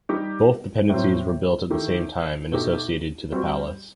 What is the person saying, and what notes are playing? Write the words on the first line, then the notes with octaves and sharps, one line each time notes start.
Both dependencies were built at that time and associated to the palace.
G3 D#4 G4
A2 F#3 C4
D#3 A3 E4 G4
B2 A3 D#4 G4
G3 C4 F#4